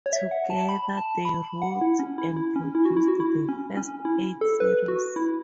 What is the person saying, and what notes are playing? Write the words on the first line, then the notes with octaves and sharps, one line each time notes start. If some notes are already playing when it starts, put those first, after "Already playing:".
Together, they wrote and produced the first eight series.
C#5
E5
F#5
A5
B5
A5
B5
B5
F#5
E4
C#4
E4
E4
C#4
E4
F#4
E4
F#4
E4
C#4
C#4
E4
A4
B4
F#4
E4